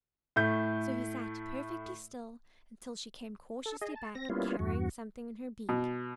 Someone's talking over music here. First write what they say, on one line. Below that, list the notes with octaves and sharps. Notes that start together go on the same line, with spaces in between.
So he sat perfectly still until she came cautiously back carrying something in her beak.
A2 A3 G6
A4
G#4 D#5
A5
C4 A#6
G3 A#3 B3 C#4 E4 F4
E2 G2 F#4
B2